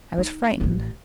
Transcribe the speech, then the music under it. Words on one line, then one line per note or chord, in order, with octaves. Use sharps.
I was frightened.
D#4
A1 E3